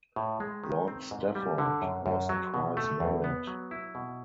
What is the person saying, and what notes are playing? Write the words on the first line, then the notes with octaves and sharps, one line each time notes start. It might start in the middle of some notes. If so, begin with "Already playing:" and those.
Lord Stafford was twice married.
A2
G#3
D#3
C4
G#2
G3
D3
F#2
F#2
F#3
B2
A3
E2
B3
F#3
E4
B2